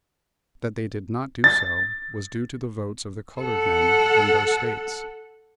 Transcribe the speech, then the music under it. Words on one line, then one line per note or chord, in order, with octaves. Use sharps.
That they did not do so was due to the votes of the colored men in those States.
A6
A4 F#5